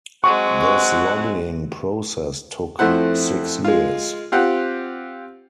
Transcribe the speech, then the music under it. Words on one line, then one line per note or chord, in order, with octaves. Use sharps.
This lobbying process took six years.
F#3 G#3 C4 F#5 C#6
F2 A3 E4 C5 F#5
G#3 F4
C4 F4 G4 F#5